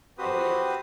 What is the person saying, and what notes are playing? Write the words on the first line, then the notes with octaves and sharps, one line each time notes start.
Oh, yes.
C4 F#4 G4 B4 C5 D#6